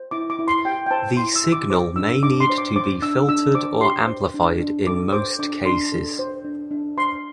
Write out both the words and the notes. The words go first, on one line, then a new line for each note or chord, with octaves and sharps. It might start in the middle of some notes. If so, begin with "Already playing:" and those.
The signal may need to be filtered or amplified in most cases.
Already playing: C5
E4 D6
D6
E4
C6
G4 G5
G5
C5 A5
E4 C6
E6
E4
D6
C5 D6
D4 E6
D4 D6
C6
C5
D6
C5 D6
D4 E6
D4 E6
C5 D6
G4 C6
C5
D4
D4
A4 D6
C5 D6
D4 D6
D4 C6
A4
C5
D4
D4
C5 C6